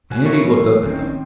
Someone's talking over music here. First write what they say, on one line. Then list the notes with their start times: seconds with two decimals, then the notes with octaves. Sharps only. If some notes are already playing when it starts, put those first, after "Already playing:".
Andy looked up at them.
0.10 B2 F#4 G#5
0.25 E4 F#4 A4 A#4 C5 C#5
0.44 E3 F#3 G#3 A3 F4
0.86 D#3 C4 C#4 D#4